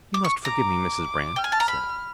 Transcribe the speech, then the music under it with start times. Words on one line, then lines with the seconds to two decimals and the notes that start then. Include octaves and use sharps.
"You must forgive me, Mrs. Brand," he said.
0.14 D6
0.24 C#6
0.45 A#5 D6
1.36 G5 F6
1.44 G#5
1.52 A5
1.60 A#5
1.68 B5